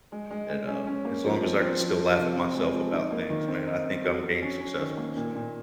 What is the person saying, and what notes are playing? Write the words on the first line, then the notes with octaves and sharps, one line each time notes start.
and, um, as long as I can still laugh at myself about things, man, I think I'm being successful, so
G#3
G#3
G#3
C#4
C#4
A#3
F3
C4
C4
F3
F3
C3
C4
G#3
F3
D#4
A#3
D#3
C4
D#4
C4
F#3
F#3
C#4
C#4
D#3
A#3
A#2
A#2